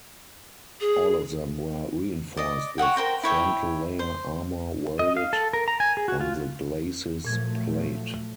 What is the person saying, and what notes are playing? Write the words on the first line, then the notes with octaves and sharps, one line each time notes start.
All of them were reinforced with frontal layer armor welded on the glacis plate.
G#4
D5 D#5
C#5 D#5 F#5 G5
A#4 C5 G5 A#5
E4 C#5 G5
C5
D#5
F5
A4
A#4
A#5
G#5
G#4
F#4
F4
A#2 F3 F#3 A3 G#6